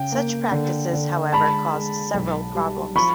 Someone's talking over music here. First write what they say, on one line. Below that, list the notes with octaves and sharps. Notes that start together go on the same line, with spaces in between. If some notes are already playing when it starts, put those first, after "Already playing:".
Such practices, however, caused several problems.
Already playing: C#3 G5
A#3
D3
D3
G#3 A5 B5
G#3
B1
G3
F3 B5 C#6